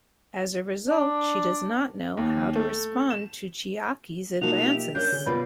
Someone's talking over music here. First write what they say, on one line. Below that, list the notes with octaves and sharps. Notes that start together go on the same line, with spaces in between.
As a result, she does not know how to respond to Chiaki's advances.
D4
D#2
A3
E7
B2 F3 A#3 D#4 F#4 A5 F7
G4 E5
C#4 D4 A#4 E5 G6
D3 G#4
B2 F4 B4 D5 B5